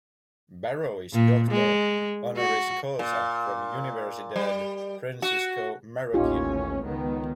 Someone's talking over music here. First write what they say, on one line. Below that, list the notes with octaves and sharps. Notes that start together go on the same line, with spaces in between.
Barro is doctor "honoris causa" from Universidad Francisco Marroquin.
A#2
G#3
F#4
A#2
G3
F#4
A1 D#2 C#4 D#4 F4 G4
C#2 D#3 B3